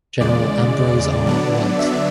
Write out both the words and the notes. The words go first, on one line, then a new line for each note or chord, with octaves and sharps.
General Ambrose R. Wright.
E2 C#3 G#3 D5
D3 F#3 B3 D4 D5
E5